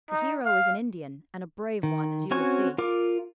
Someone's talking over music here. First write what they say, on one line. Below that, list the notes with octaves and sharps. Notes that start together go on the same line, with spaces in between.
The hero is an Indian, and a brave one, as you will see.
D#4
F5
D#3
C4 C#4 F#4 G#5 C#6
F4 A#4 D6